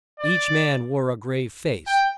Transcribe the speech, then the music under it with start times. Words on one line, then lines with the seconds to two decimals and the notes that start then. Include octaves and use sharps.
Each man wore a grave face.
0.20 D5
1.87 G5